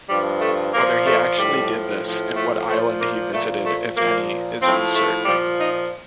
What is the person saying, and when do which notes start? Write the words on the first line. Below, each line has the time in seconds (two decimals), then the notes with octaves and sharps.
Whether he actually did this and what island he visited, if any, is uncertain.
0.09 G2 F3 G3
0.41 A3
0.74 A#2 F3 A#3
1.06 A3
1.37 A2 F3 G3
2.03 A2 F3
2.35 A3
2.68 A#2 F3 A3
3.00 A#3
3.32 A#2 F3 A3
3.64 A3
3.96 A#2 F3 A#3
4.61 A2 F3 C4
4.94 A3
5.25 A#2 F3 G3
5.59 D#4